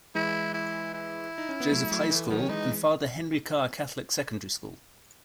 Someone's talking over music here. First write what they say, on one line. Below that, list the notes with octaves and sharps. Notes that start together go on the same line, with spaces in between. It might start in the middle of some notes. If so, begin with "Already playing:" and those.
Joseph High School, and Father Henry Carr Catholic Secondary School.
E3 G#3 E4
E4
E4
D#4
C#4
B3
F#3 A3
F#3 A3
E3 A3
D#3 F#3 B3
C#4
E3 G#3 D#4